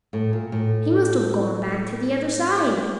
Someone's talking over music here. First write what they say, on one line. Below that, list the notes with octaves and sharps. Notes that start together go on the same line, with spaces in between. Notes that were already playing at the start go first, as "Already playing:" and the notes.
He must have gone back to the other side.
A2
A#2
A2